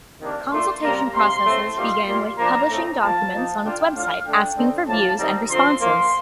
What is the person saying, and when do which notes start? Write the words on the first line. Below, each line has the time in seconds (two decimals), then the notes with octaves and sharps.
Consultation processes begin with publishing documents on its website, asking for views and responses.
0.20 C3 D#3 A#3 D4
0.51 A#2 A3 D4 C6
0.82 C3 G3 A#3 D4 A#5
1.14 C3 G3 A#3 C6
1.45 A2 A3 C4
1.76 A#2 G3 A#3 D#4 C6
2.07 A#2 G3 A#3
2.38 F3 A#3 D4 F4 A#5
2.70 A2 A3 C4 D#4
3.00 F3 A#3 F4 A5
3.32 F3 A#3 D#4
3.63 D3 A3 D4 F4 G5
3.94 A2 A3 D4 F4 F5
4.25 D3 A3 D4 G5
4.57 D3 A3 C4 D#4
4.87 A2 F3 A#3 A5
5.19 D#3 G3 C4 D#4 A#5
5.50 D3 F3 C4 C6
5.81 F3 A#3 F4 C6